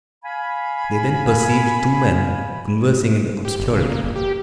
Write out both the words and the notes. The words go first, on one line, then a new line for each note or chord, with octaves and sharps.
They then perceived two men conversing in the obscurity.
F5 G#5 B5
G4
G1
C#3
A#3
G1
G4